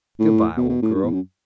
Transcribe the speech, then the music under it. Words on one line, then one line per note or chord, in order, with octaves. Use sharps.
'Goodbye, old girl.
A2
B2
B2
A2
G2
E2
F#2